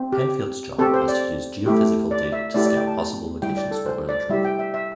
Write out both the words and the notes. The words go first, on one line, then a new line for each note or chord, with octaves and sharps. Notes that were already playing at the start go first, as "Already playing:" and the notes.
Penfield's job was to use geophysical data to scout possible locations for oil drilling.
Already playing: C4
G4
C4 G4 A4
C5
D5
A3 E4 G4
D5
E5
A3 E4 G4 D5
D5
G5
A5
G3 E4 G4 G5
D5
A4
C5
D5
G3 E4 G4 E5
G5
E5
E5